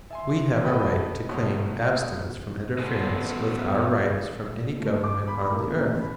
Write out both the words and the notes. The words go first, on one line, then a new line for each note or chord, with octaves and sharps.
We have a right to claim abstinence from interference with our rights from any Government on the earth.
E5 G#5 C6
A4 B4 D#5 F#5 G5 B5
B2 F#3 A3 C4
B3 C4 F#4 A4 C5 G#5
A3
D6
B5
A#4
A#3
A1
B5